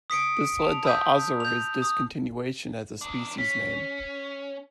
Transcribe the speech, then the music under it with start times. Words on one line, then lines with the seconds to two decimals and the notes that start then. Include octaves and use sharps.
This led to "azarae"'s discontinuation as a species name.
0.10 D#6 B6 C#7 D7
0.62 A5 F7
0.84 A5 B5 D#6 E6 G6 B6
1.40 G6 F7
1.82 D#6
3.01 E2 D4
3.38 C#4 B6